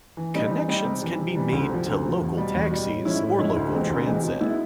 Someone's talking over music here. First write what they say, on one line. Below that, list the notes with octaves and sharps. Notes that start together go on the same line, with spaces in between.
Connections can be made to local taxis or local transit.
E3
G3 C4 D#4
E3
G3 C4 D#4
C3
E3 G3
C3
E3 G3
D2
C3 F3
D2
C3
F3
E2
B2 G3
E2
B2 G3
A2
F3 G#3 C#4 E4
A2
F3 G#3 C#4 E4
D2
C3 E3 G#3 C4
D2
C3 E3 G#3 C4
B2
G#3 B3 E4